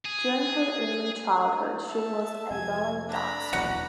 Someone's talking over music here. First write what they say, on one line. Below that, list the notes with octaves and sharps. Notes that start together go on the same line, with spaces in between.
During her early childhood she was a ballet dancer.
G#4
E5 A5
F2 C3 G#5 G#6
D4 A#5 B5
D#1 B1 E2 F#4 F#5